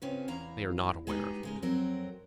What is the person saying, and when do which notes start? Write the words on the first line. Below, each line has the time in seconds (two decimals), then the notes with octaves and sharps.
"They are not aware of it."
0.02 C#3 C4 C#4 F4 B4
0.28 E2 E4 F5 A#5
1.07 G#3 B3 D#4 G4 G#4
1.43 C#3 G#3 A#4
1.62 F2 F#3 C4 F#4 A#4